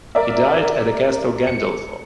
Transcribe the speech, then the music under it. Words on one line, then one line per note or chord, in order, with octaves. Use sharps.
He died at Castel Gandolfo.
A#4 D5 E5
C#7